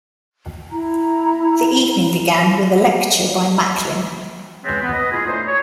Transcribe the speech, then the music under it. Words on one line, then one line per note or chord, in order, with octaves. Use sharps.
The evening began with a lecture by Macklin.
E4 A#5
C#3 E3 G#3 B3 C4
B3
B4 D#5
G#3 E4 F4 G#4
D2 A2 A3 D#4 C5
C#5